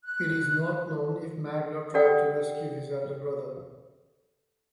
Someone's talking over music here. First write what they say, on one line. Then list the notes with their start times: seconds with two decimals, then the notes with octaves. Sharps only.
It is not known if Maglor tried to rescue his elder brother.
0.05 F#6
1.94 G4 A4 D5 F#5 G5